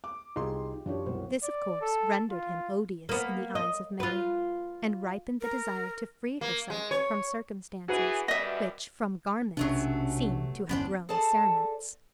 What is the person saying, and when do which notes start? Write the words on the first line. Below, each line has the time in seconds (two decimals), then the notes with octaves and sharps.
This, of course, rendered him odious in the eyes of Mary, and ripened the desire to free herself from circumstances which from garments seemed to have grown cerements.
0.04 D6
0.36 C2 D#4 F4 G4 G#4 C6
0.86 F#2 E3 D4 F4 G4 C#5
1.06 C2 B2 F#3 F#4 C5
1.44 D5
1.82 A4
2.31 F4
3.09 A#3 B3
3.55 D#5
4.00 F4 B4
5.41 A#4
6.41 A#3
6.70 G#3
6.91 C#5
7.88 E3 F#4 G#4 B4
8.28 F#2 G3 D#5 E5
9.57 B1 C3 F#3 A3 B3 C#4 D4
10.69 G1 E2 B3 C#4 D4 C5
11.09 G#4 A4 C5 D5 A5